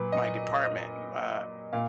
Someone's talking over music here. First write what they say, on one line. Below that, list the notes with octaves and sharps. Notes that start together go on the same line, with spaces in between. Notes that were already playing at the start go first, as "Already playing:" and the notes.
my department, uh
Already playing: A#2 F#3 B4
D#5
D#5
A#2 F5